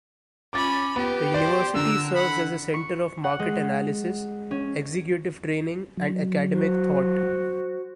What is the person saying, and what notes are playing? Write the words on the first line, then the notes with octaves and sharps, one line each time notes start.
The university serves as a centre of market analysis, executive training and academic thought.
C#4 B5 D6 A6
B3 G4
C5 D5
D3 A#4 E6
F#5 B5
C#6
F#5
G#3
C#4
F#3
F#4 C5